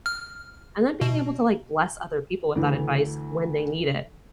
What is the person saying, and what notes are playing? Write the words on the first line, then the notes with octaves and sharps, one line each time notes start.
and then being able to, like, bless other people with that advice when they need it.
F6
B2
D2 E3